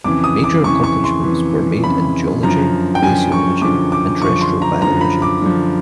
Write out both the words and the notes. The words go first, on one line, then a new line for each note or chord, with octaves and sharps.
Major accomplishments were made in geology, glaciology and terrestrial biology.
F2 C#3 E3 D6
D#6
D6
F2 C#3 E3 C#6
C#6
C6
F2 C#3 E3
F2 C#3 E3 B5
F#2 D3 F3 A#5
G5
F#2 D3 F3 G#5
C#6
F#2 D3 F3 D6
D6
F#2 D3 F3 C#6
C6
A#5
F#2 D3 F3 A#5
B5
D6
F#2 D3 F3